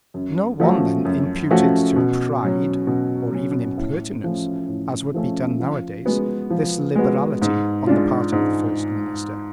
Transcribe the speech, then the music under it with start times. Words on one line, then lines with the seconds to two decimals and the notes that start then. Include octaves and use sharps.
No one then imputed to pride, or even impertinence, as would be done nowadays, this liberality on the part of the first minister.
0.14 F#2
0.60 F3 A3 C#4 F#4
1.05 F#2
1.51 F3 A3 C#4 F#4
1.96 B2
2.41 F#3 C#4
2.87 B2
3.32 F#3 C#4
3.78 A2
4.24 F3 A3 C#4
4.68 A2
5.14 F3 A3 C#4
5.60 F3
6.05 G#3 B3 F#4
6.50 F3
6.95 G#3 B3 F#4
7.42 G#2
7.87 G#3 D4 F4
8.32 G#2